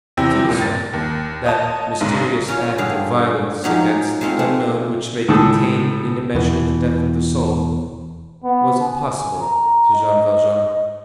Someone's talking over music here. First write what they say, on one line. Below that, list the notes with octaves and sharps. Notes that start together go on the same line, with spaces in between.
Suicide, that mysterious act of violence against the unknown which may contain, in a measure, the death of the soul, was impossible to Jean Valjean.
E2 C3 C4 E4 G5 A#6
C#2 A#2
A6
D#2
C#5 D#5 A5
B1 G#2 D3
C#4 F4 C#5
G2 D3 G#4 F5
F3 F#3 G#3 C#4 D#4 G4
G#3 A3 C4 F4
A3 C4
C#2 A2 G#4 A4 A5
E2 B2 E3
B3
G#5
A#5
D#5